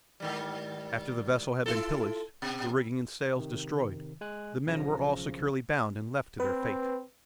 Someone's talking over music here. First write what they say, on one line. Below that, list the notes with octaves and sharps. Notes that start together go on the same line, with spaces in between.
After the vessel had been pillaged, the rigging and sails destroyed, the men were all securely bound and left to their fate.
G#2 D#3 G3
E4 F4 A4
B2
C3 D#3
G#3 G#5 F#6
B1 C#3 F3 A#6
C4 B4